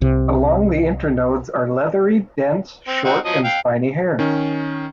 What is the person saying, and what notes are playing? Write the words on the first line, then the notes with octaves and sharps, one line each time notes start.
Along the internodes are leathery, dense, short and spiny hairs.
C2 C3
C4
C4 D#4 F#4
F3 F#3 D#5
F5 G5
D#3 C#4